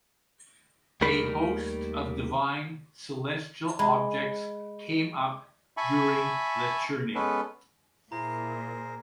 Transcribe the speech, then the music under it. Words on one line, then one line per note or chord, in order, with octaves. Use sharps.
A host of divine celestial objects came up during the churning.
D#2 G3 A3 D#4 A#4 B5
G#3 B5
E5 G#5 A5 B5 C#6
G#3 B3 C#4 A4 B4
A#2 E4 G#4 A#4 C5 A#5